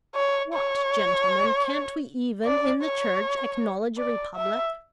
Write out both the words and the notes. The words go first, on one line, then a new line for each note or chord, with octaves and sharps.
What, gentlemen, can't we even in the Church acknowledge a republic?
C#5
C#5
D5
C#5
D5
E5